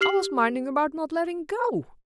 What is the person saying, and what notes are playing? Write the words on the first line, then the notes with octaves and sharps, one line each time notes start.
"I was minding about not letting go."
G4 F6 C7 F#7